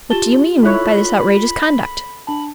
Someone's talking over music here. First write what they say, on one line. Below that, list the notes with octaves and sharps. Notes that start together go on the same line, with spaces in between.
What do you mean by this outrageous conduct?
F4 G4 A5 G7
D#4 E4 A4 C#5 B5 F#6
D4 A5 B5